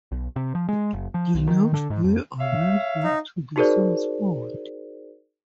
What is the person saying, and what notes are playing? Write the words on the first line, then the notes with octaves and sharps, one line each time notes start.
The next day I went back to the same spot.
B1
C3
F3
G#3
F#1
F3
B1
D#3
D3
G#2
F2
C#5 E5 F5
D#4
D#4 F#4 G#4 A#4 C5 D5